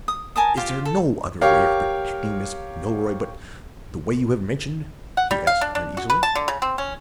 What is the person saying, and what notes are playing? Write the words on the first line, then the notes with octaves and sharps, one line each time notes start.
"Is there no other way of protecting Miss Milroy but the way you have mentioned?" he asked, uneasily.
D#6
A#4 G#5 A5 D#6
F4 G4 C5 F5
A4
G4 A#4 C#5 F5
F#5
G3
F5
D4
D4
F#4
B4
A5
D3
C#3
C4
C#4